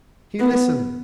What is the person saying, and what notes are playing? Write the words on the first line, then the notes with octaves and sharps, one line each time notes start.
He listened.
B3